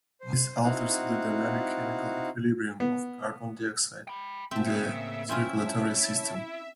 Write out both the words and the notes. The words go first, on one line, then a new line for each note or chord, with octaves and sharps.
This alters the dynamic chemical equilibrium of carbon dioxide in the circulatory system.
C5
C4 D#4 E4 F#4 F5 F#5
B3
G5 B5
C4 E5 A5
A2 C#3 A#3 C#4
C4 C#4 E4 F4
C#5 A5